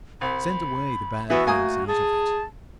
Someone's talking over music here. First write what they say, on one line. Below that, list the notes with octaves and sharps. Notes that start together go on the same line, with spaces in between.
Send away the bad things out of it.
C2 B5
E3 B3 F#4 E5
A3 A#3 G#5 D#6
G#4 A5